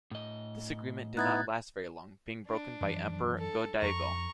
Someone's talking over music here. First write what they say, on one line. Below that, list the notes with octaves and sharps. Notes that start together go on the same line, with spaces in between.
This agreement did not last very long, being broken by Emperor Go-Daigo.
A2 D#5
B3 D#4 E4 F#6 G#6 A6
D4
F#2 E3 F3
A4
F2 A#5 C#6